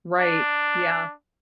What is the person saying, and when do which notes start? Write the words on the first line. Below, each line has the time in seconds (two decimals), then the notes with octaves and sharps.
Right. Yeah.
0.19 D4